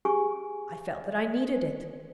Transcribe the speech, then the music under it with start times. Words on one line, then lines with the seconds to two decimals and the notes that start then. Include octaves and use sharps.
I felt that I needed it.'
0.05 G4 G#4 G#5 C#6